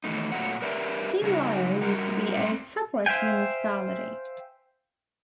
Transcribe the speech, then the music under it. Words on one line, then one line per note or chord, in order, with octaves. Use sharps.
De Lier used to be a separate municipality.
D#3 E3 F#3 A3 D#4
A#2 F#3 A3 F#5
G4 A#4 B4 D5 E5
C#3 G3 D#4 F#4
G3 F#4 A#4
G3 A3 C4
C5 E5 F5 G5 G#5